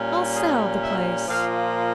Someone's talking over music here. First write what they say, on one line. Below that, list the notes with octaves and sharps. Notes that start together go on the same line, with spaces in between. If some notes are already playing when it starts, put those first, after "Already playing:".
"I'll sell the place."
Already playing: A#2 G3 C#4
G#4
E5
A#2 F3 A#3 F5